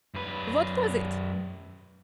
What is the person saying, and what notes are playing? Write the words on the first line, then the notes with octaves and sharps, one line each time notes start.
"What was it?"
F#2 B4